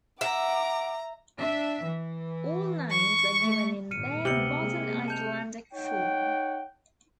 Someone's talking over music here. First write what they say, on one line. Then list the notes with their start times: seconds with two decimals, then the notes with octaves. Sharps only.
All names are given in their Modern Icelandic form.
0.21 E5 F#5 A#5 D6
1.38 D4 E5
1.86 E3
2.91 C#6
3.40 A3
3.91 G#1 A#2 F6 C#7 D#7
4.25 D2 C3 B3 C#7 F#7 G7
4.60 G#3 A#3
5.08 A5 G6 F7
5.73 D#4 C#5 F#5 G5